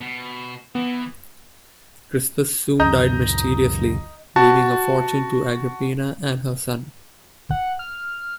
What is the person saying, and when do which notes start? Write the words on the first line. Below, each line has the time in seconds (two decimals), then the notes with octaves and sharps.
Crispus soon died mysteriously, leaving a fortune to Agrippina and her son.
0.01 B2
0.75 E3 B3
2.80 C#2 F#2 D#5 A#5 G6
4.36 F#4 F#5 A5
7.51 F#5
7.79 F6